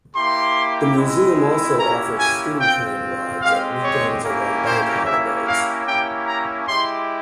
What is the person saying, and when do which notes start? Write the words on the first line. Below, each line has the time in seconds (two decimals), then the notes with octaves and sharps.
The museum also offers steam train rides at weekends and on bank holidays.
0.15 A#3 E4 G4 C6
0.97 G#3 C4 E4
1.78 A#3 C#4 E4 G4 A#5
2.19 G#5
2.59 C4 F4 G5
3.41 G#3 C4 G4 F5
3.82 C#5
4.22 A#3 C#4 E4 G4
4.64 C5
5.05 A#3 C#4 E4 G4 E5
5.46 F5
5.86 A#3 C#4 E4 G4 G5
6.27 A#5
6.67 G#3 E4 G4 C6